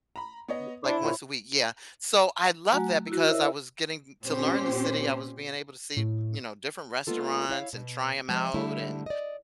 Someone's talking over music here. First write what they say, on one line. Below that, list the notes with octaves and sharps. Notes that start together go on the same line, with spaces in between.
L like once a week, yeah. So I love that because I was getting m to learn the city, I was being able to see, you know, different restaurants and try 'em out and
A#5 B5
B3 C#5 D#5
D4 E4 C5
A#2 C5 C#5
F#3 A3 F#4 G#5 A#5
E4 F#4
E4 A#4 C5 C#5 D#5 E5
A#2 C4 C#4 G4 C5
A2
G#3 A#3 B3 F4 A4
E4 C#5 F5
B2
F3 G#3
D3 G3 A3 E4
D5 D#5